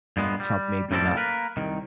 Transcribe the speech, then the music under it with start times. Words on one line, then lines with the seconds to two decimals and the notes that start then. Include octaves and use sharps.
Trump may be not
0.17 G2 A#2 G#3 B3
0.40 G3
0.91 F#2 A2 G3 C4 A4 D5
1.16 A#3 A#4 B4
1.57 C2 D#3